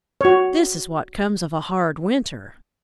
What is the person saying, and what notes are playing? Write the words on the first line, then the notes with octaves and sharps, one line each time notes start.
"This is what comes of a hard winter."
F#4 C#5